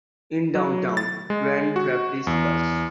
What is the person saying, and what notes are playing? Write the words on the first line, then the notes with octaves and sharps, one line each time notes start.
In downtown Grand Rapids, Bus.
F#3
A6
G#3
F#4
E2